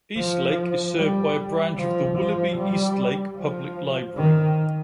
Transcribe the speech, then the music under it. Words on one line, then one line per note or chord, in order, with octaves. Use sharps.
Eastlake is served by a branch of the Willoughby-Eastlake Public Library.
F3
G3
F3
F3
G3
F3
D#3